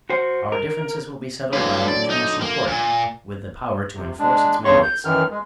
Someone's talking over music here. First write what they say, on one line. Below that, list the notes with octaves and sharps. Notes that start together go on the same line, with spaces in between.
Our differences will be settled by an international court with the power to enforce its mandates.
F#4 C5
A#4
D3 F#3 B4 F5
D5
D#4
A#3
A#2
C3
G#3 D4
E2 G2 C#3 C#5 C6 C#6
G6
F#2 D#3 E3 F6
G#3